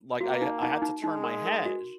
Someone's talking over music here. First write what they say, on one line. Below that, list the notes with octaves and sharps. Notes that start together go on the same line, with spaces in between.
Like I I had to turn my head,
A#3 F#4
D#4
D#4
D#4
G#3 D#4
A#4
A#4
F#4